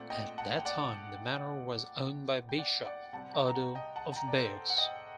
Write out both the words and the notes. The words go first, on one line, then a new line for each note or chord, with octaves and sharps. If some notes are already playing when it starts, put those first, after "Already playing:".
At that time the manor was owned by Bishop Odo of Bayeux.
Already playing: A#2 A3 C4 D5 F#5
D#5 G5
F#5 A5
G5
D5 F#5
G5
D5 F#5
D5 F#5
C3 G3 C4 F#5 A5
G5 A#5
A#5
F#5 A5
D#5 G5
F#5 A5
A5
G5 A#5
D5
A4 C5
F#5
D#5 G5